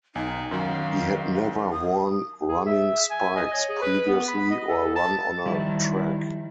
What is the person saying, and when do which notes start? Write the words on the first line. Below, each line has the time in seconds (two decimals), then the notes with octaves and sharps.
He had never worn running spikes previously or run on a track.
0.15 B1 D#4 G#5
0.51 F#2 D#3 F#3 F5
1.72 D#6
2.49 G#4
2.66 E5
3.10 G#5
3.36 D#5
3.53 C#5
3.69 G#4
3.82 B4
4.07 B3
4.28 B5
4.51 D#5
4.69 A4
4.96 A5
5.46 D#3 F3 G3 E4